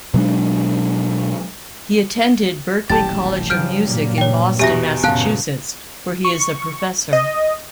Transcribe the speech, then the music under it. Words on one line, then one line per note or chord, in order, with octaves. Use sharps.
He attended Berklee College of Music in Boston, Massachusetts, where he is a professor.
B2 F#3 G#3 D4
D#1 A1 F#3 G4 A5 A6
G2 C#3 F3 F#3 F6 G6 D7
A#2
C#5 G5
E2 B2 G4 E5 A#6
F#2 A#2 C#3 B3 F5 A5 F#6
C#6
D#5